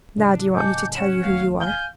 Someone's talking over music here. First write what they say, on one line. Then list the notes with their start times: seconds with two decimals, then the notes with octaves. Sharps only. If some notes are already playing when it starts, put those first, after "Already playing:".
Now do you want me to tell you who you are?
0.17 A2 C#3 F#3 D4
0.55 D#5 F#5 G#5 A5 D6 G6
0.95 C#4 F#5 E7
1.24 E1 D#2 A3 F5
1.61 F5 G#5 F6 G6 G7